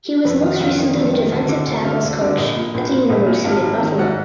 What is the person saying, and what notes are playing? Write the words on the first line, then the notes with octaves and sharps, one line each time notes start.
He was most recently the defensive tackles coach at the University at Buffalo.
F2 B4
D#3 F5
F#5
F2 F5
D#3
F2
D#3
D2
D3
D2
D3 F5
D2
D3
A#1 D#5
A#2
A#1
A#2
A#1
A#2
G#1 F5
G#1
D#3
G#2 F#5